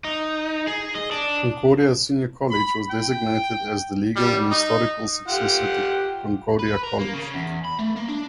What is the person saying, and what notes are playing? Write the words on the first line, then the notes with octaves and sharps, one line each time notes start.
Concordia Senior College was designated as the legal and historical successor to Concordia College.
D#4
G#4
D#5
D4
B5
G5
G3
D#4
F4 G4 F#5
B4
A#4
A#3
C#3
E2
B5
A3
A#3
D4